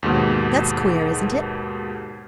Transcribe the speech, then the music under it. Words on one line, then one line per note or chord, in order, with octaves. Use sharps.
That's queer, isn't it?
D#2 G#2 B2